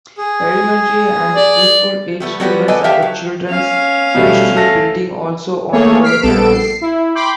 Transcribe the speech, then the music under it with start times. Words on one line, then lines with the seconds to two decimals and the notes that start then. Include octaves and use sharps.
Elementary and preschool age students have a Children's Ministry building also on lower campus.
0.18 G#4
1.34 D5
2.20 G3 A3 B3
2.40 F#3 G3 B3 B4
2.68 A4 B4 D5 D#5 G#5
2.84 G4 E5 F5 G5 A5
3.02 F#3
3.50 C#4 F5
4.15 B2 G3 A3
4.56 A3 A4 A#6
5.72 A3 A#3 G#4 C#5
6.03 F6 B6 C7 D7
6.22 A#1 G3 B3 A4 D7 E7
6.52 C7
6.81 E4
7.15 G5 B5 C6 D6